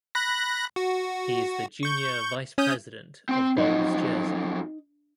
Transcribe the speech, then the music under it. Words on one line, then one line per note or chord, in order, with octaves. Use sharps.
He is the Junior Vice President of Bowls Jersey.
B5 F#6 A#6
F#4
C#6 G6
C#4 D#6 G6
C4 G5
F2 F#3 D#4